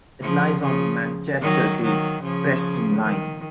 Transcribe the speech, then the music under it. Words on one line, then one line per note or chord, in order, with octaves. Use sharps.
It lies on the Manchester to Preston Line.
C#3 F3
C#3 F3
D#3 F#3
D#3 F#3
C#3 F3
D#3